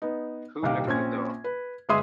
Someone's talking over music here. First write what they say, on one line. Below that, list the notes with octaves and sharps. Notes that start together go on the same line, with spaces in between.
Who locked the door?
B3 D#4
D#1 C2 D#4 G4 F5
A#1 C4 C#4 G#6
B4
G1 G#3 G#4 E5 C6 D#6